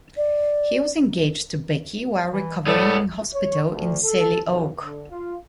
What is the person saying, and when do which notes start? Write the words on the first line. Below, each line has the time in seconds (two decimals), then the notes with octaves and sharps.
He was engaged to Becky while recovering in hospital in Selly Oak.
0.17 D5
2.33 E3
2.66 A2 G3 A3 B3
3.34 C#5
3.70 D2
4.05 A4
4.48 B1
4.81 D3
5.11 F4